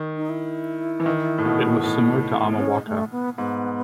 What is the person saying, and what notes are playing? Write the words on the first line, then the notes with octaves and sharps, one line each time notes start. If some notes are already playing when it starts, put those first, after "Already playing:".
It was similar to Amawaka.
Already playing: D#3
D#4
E4
E3
D#3
A2
B2
A2
B3
C#4
A3
B3
G#2 B3